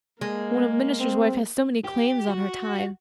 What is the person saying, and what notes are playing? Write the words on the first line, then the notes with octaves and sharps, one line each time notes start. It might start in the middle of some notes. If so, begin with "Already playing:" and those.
When a minister's wife has so many claims on her time!
G#3 A#3
C4
G4
F#4